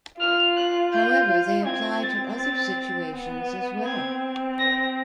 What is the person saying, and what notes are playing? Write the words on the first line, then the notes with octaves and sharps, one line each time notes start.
However, they apply to other situations as well.
F4 F6
F#6
G6
C4 G#6
A6
A6
B3
C4 G#6
A#6